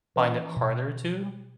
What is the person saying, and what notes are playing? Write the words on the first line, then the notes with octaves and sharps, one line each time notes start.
find it harder to.
E3 C#4
B2